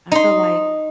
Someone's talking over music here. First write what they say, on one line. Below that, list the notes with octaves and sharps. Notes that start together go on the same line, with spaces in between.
I feel like
D#4 C6